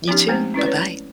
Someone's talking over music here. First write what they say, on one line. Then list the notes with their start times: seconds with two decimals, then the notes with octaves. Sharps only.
You too. Bye-bye.
0.08 F3 B3 C#4 D#4 G4
0.28 G#3 A3 B3 C4 C5
0.54 C#4 E4 B4 D5
0.66 B4 C#5